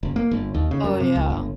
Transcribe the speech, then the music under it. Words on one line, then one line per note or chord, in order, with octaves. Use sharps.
Oh, yeah.
F#1
A#3
G1
D#2
C#3
F#2
C3
C#2
G1